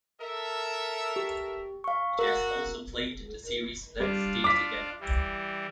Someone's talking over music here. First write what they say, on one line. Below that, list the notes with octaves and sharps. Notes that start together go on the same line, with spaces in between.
She has also played in the series "Let's Stay Together".
A4 A#4 E5
G4
F5 C#6
F#4 A#4
G3 D4 F4
D6 B6
E3 G3